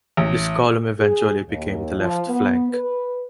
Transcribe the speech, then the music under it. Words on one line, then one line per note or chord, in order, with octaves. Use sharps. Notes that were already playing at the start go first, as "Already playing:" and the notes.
This column eventually became the left flank.
A1
G#4
D#2
F3
B3
B4